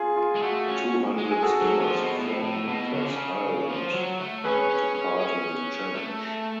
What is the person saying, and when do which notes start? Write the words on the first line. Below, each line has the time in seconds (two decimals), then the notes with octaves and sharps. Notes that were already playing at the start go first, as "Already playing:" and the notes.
Two hundred swimmers from across Ireland took part in the challenge.
Already playing: F4 G#4
0.16 F4
0.36 G#3
0.42 A3 F#4
0.67 C#4
1.18 G#3
1.31 G#4
1.42 F#4 A4
1.61 F#3
1.80 F3
1.99 B2
2.18 A2
2.43 A2
2.69 B2
2.93 C#3
3.01 D3
3.09 C#3
3.69 F3
3.94 F#3
4.20 A3
4.44 C#4 G#4 B4
4.70 C#4
4.95 C#4
5.20 C#4
5.95 A3